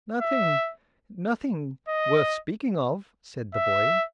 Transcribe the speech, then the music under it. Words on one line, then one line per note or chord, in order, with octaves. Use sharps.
"Nothing--nothing worth speaking of," said the boy.
E5
D#5
E5